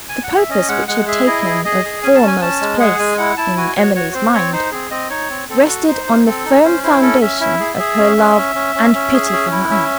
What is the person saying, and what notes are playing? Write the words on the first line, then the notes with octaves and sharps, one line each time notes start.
The purpose which had taken a foremost place in Emily's mind rested on the firm foundation of her love and pity for her aunt.
G#5
F#5
E5
C#4 D#5
G#3 F#5
G#3 F#5
G#4 E5
E4 D#5
G#4
G#4 D#5
G#4
C#4 G#5
A5
C#4
G#5
C#4 A5
G#3
G#4 F#5
G#3 G#5
E4 F#5
E4 A5
F#4 G#5
F#4 C#5
F#4 C#5
C4 C5
C4 C#5
D#4 C5
C4 G#4
C4 D#5
D#4 C#5
C4
C4 A4
F#4
D#4 C5
D#4
C4 A4
D#4
C#4 C5
E4 C5
C#4 A4
C#4 E5
E4 E5
G#4
G#4
C#4
C#4
C#4
C#4
C#4
C#4
G#4
C#4
E4
C#4 E5